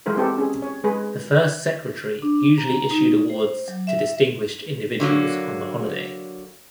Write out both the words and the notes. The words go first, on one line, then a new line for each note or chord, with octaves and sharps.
The First Secretary usually issued awards to distinguished individuals on the holiday.
E3 G#3 E4 A#4 C5
B3 C4 G4 A4
C#4 G#4
C#5
G#3 G#4 B4
D4
A#5
D#4
C5
F#3
E5
D3 F#3 A#3